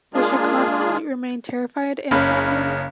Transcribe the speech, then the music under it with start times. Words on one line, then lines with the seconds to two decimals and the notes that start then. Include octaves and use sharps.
They should constantly remain terrified and trembling.
0.14 G#3 A#3 D4 F4 G#4
2.11 F#1 C#3 B5